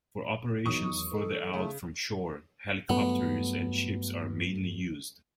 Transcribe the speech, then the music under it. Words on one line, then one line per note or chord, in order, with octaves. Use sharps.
For operations further out from shore helicopters and ships are mainly used.
E2 D#3 F#3 D#4 C#6 D#6
E3 D#4 A4
C#3 A3
G2 F#3 A3 B3